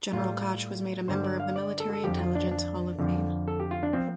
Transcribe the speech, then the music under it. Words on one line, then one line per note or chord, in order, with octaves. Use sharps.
General Koch was made a member of the Military Intelligence Hall of Fame.
A2 G3 F4
G2 D3 G3 C5
D5
F5
D5
A4
A4
F2 D3 F3 G4
F4
D4
D4
F2 D3 F3
A4
G4
F4
D4
F3 C4